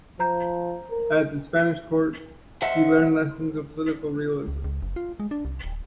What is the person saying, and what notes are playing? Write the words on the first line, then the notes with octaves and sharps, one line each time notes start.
At the Spanish court, he learned lessons of political realism.
F3 C5 A#5 G6
A#4
C5 D#5 E5 F#5
C#2
C#2
F#1
F4
G#3
D4
C2
D1